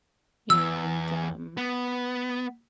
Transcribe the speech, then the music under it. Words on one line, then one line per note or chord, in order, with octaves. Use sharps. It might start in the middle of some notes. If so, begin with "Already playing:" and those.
and, um
E2 E6
B3